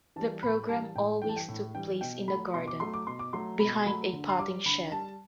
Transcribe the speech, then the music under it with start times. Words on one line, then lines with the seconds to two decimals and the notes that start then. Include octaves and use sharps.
The programme always took place in a garden, behind a potting shed.
0.16 E3 G3 A5
0.43 A2 B5
0.69 E3 G3 A5
0.96 A2 G5
1.22 E3 G3 G5
1.29 A5
1.36 G5
1.49 A2
1.75 E3 G3 G5
2.01 B2 G5
2.28 F#3 A3 B5
2.54 B2 C6
2.68 D6
2.80 F#3 A3 C6
2.94 D6
3.07 B2 C6
3.19 D6
3.33 F#3 A3 C6
3.60 B2 B5
3.75 C6
3.86 F#3 A3 B5
4.13 D3
4.29 C6
4.39 G3 D6
4.66 D3 B5
4.92 G3 A5